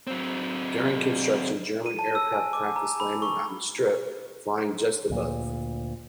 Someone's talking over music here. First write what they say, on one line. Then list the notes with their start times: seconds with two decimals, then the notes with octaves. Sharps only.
During construction German aircraft practice landing on the strip, flying just above.
0.07 F#3 C4
1.86 D#7
1.99 A5
2.15 E6
2.33 G#5
2.53 D6
2.76 A#5
3.00 B5
3.22 C#6
5.10 D2 A#2